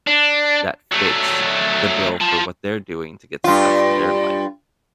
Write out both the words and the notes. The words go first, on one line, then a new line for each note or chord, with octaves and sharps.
that fits the bill for what they're doing to get success in their life?"
D4
F#3 A3
F4 A5
G2 F4